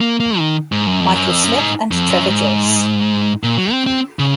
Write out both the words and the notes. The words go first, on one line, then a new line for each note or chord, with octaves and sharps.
Michael Smith and Trevor Joyce.
A#3
A#3
D#3
G#2
F#2
F2
F#2
F2
F#2
G#2
F2
F#2
G#2
A#2
F#3
C4
C4
C#3